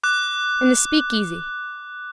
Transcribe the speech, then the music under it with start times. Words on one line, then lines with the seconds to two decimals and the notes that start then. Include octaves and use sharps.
In the speakeasy.
0.03 D6 F#6